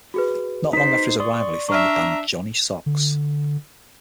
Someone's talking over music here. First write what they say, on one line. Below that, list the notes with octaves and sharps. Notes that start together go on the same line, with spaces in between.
Not long after his arrival he formed the band Johnny Sox.
F#4 G#4 B4
D#4 C5 B6
D5 C6 C#6 D#6
D4 E5 A#5 C#6 F6
D3